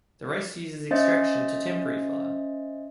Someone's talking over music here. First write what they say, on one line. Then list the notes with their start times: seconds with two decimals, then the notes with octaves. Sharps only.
The rest uses extraction to temporary file.
0.91 C#4 C5 D#5 E5 A6